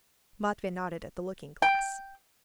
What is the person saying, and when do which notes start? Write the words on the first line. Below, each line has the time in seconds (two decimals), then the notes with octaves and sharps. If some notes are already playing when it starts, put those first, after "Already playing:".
Matvey nodded at the looking-glass.
1.62 G5